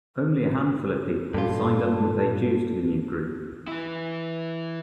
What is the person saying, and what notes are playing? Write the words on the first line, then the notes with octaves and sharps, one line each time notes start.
Only a handful of people signed up and paid dues to the new group.
G2 A#2 F4 A4
E3 E4